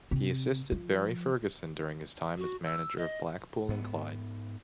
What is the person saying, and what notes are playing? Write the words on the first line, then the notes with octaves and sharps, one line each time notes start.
He assisted Barry Ferguson during his time as manager of Blackpool and Clyde.
C3
F3
F#4
E6
D#5
G#2 B3